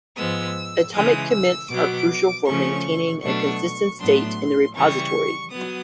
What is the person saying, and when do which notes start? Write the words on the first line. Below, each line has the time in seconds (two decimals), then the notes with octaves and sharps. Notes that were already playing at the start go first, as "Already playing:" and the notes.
Atomic commits are crucial for maintaining a consistent state in the repository.
0.17 G#2 F3 G#3 B3 E6
0.93 C#3 E3 G#3 D#6
1.31 E6
1.69 B2 F#3 B3 D6
2.46 C#3 F3 A3 C#4 C#6
3.23 B2 F#3 A3 D4 C#6
3.99 A2 F#3 B3 D4 C6
4.75 C#3 E3 G3 C#6
5.51 F#3 B3 D#6